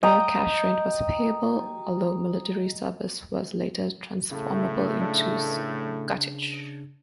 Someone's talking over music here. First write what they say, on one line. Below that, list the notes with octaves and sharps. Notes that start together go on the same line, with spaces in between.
No cash rent was payable, although military service was later transformable into scutage.
D#5 G5 A#5
A2 C#3 A3
C#3 D4